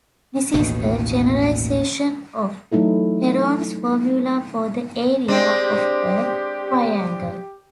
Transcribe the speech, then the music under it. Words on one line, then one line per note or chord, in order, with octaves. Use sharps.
This is a generalization of Heron's formula for the area of a triangle.
A1 D#2 B2 D#3
E3 F#3 A3 D#4 E4 A4
G#3 C4 D4 G4